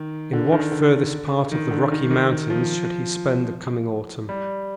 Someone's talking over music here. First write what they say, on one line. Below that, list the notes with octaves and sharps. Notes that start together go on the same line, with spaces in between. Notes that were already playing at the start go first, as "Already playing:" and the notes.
In what furthest part of the Rocky Mountains should he spend the coming autumn?
Already playing: D#3
D3
D#3
D3
D#3
D3
D#3
D#3
D#3
F3
G3